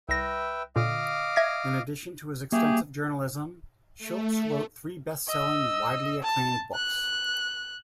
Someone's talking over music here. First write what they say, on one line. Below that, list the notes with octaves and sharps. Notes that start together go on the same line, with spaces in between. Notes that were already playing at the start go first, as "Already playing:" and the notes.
In addition to his extensive journalism, Shilts wrote three best-selling, widely acclaimed books.
C2 B4 E5 G5 A#6
A#2 D3 D#5 F5 D6
E5 G#6 A#6
A#3 G4 G#4 E5
A3
D#5 E6
A5
F#6